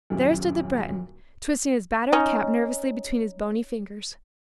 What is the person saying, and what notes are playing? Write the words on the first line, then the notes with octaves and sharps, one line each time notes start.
There stood the Breton twisting his battered cap nervously between his bony fingers.
D#1 B1 F#2
C#4 D#4